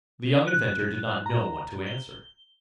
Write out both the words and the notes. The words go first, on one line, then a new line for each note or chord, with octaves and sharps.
The young inventor did not know what to answer.
F#6
A#5
G7